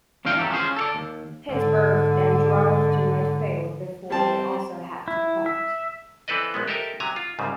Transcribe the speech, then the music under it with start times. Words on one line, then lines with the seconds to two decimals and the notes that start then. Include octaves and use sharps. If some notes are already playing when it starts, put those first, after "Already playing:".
Pittsburgh then drove to midfield before they also had to punt.
0.25 C3 E3 D4 F4 F5 G5
0.38 E3 F#3 G4 A4
0.51 C#4 F4 G#4 C5
0.76 A4 C#5 D5
0.95 D#2
1.49 G#2 D3
4.10 G3 C4 A5
5.08 E4
5.46 E5
6.28 E3 C4 A4 B4 D5 D#5
6.54 A#1 G#3 B3
6.67 G4 A4 A#4 D#5 E5 A5
7.00 C3 F#3 G#5 A#5
7.16 F4
7.39 C2 G#2 C#3 G3